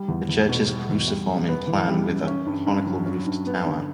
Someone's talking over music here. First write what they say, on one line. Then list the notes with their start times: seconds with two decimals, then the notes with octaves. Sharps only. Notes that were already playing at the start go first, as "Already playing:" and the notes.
The church is cruciform in plan with a conical roofed tower.
Already playing: G3
0.08 E2
0.29 E2
0.49 B2
0.68 G3
0.89 E2
1.08 G3
1.27 F#2
1.48 B3
1.67 E3
1.88 G3
2.07 F#2
2.27 C#4
2.46 G2
2.67 G2
2.86 F#3
3.06 C#4
3.26 G2
3.47 B3
3.66 D3